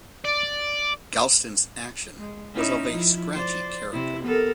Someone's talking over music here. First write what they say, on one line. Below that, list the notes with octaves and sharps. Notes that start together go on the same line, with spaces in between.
Galston's action was of a scratchy character.
D5
G#3
C#4 D#4 E4
F3 E4
C5 D5
C3 E4
B3 A4 A#4